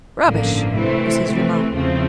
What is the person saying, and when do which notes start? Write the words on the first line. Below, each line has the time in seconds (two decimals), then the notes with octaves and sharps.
"Rubbish," was his remark.
0.25 A1 G2 D3 F3 A#3
0.74 C3 E3 A3 C4 E4
1.23 C3 E3 A3 C4
1.72 E2 C#3 F3 A3 C4